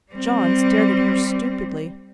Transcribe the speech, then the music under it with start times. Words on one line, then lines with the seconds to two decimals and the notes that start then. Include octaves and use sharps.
John stared at her stupidly.
0.12 G3 C4